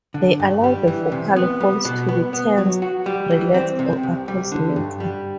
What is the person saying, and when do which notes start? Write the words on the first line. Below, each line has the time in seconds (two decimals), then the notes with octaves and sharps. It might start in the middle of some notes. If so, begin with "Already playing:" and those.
They allow the vocal folds to be tensed, relaxed, or approximated.
0.14 D3
0.40 G2
0.64 G3
0.88 E3
1.12 C3
1.36 B3
1.60 G3
1.85 B2
2.09 B3
2.33 B3
2.58 F#3
2.82 F#4
3.06 G3
3.31 E3
3.54 C4
3.79 C3
4.03 C2
4.28 G3
4.52 D3
4.76 G2
5.00 G3